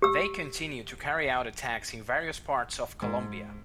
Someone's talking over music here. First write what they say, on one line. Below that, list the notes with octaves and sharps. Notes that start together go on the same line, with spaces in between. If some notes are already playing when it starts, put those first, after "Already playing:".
They continue to carry out attacks in various parts of Colombia.
G4 E6
G#2